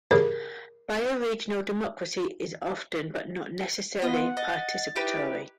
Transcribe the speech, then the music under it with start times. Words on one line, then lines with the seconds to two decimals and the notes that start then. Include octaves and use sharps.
Bioregional democracy is often but not necessarily participatory.
0.11 G2 C#3 A#4
4.02 B3 F4 D#5 F#5
4.37 D#5 A6
4.96 D#4 E4 G4 B4